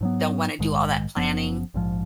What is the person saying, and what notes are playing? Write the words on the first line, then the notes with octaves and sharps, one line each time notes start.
don't want to do all that planning
G#2 F#3 B3
A#1 G#2 D#3 G#3
F#1 F#2 F3 B3
A#1 G#2 F3